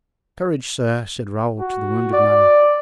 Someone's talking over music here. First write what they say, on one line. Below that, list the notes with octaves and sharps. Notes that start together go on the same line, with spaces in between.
"Courage, sir," said Raoul to the wounded man.
F#4
D5